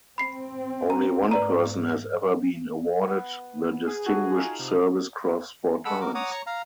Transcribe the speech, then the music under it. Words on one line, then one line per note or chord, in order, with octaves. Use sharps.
Only one person has ever been awarded the Distinguished Service Cross four times.
C4 B5 C7
A#5
G#2 B4 D5 A#5
B3
G#4
F#4 A4 E5
D#4 F4 F5
C3
G#3 A4 F#5 B5 E6
F#4 A#4 D6
C#5 F#5 A#5 D6 D#6
C#5 A#5 C#6
F5 A#5